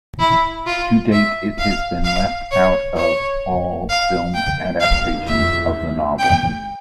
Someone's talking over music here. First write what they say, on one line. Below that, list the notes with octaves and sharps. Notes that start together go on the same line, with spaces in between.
To date, it has been left out of all film adaptations of the novel.
E4
F4
E5
F5
F5
C#5
C#5
F5
G5
F5
E5
G5